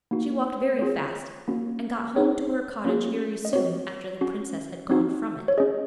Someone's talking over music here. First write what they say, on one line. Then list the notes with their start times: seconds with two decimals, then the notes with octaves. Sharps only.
She walked very fast, and got home to her cottage very soon after the princess had gone from it.
0.11 A#3 D#4 F#4
0.79 C4 F4 G#4 C#5
1.48 A#3 C#4 F#4
2.16 C4 D#4 G#4 C#5
2.85 A#3 C#4 F4 G#4
3.45 D#5
3.53 C4 F#4 C#5
4.21 C#4 F#4
4.90 C4 D#4 F#4
5.48 C#5
5.58 C#4 G#4 D#5